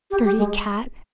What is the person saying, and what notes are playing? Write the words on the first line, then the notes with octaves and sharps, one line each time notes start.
'Dirty cat!
G4
G4
G#3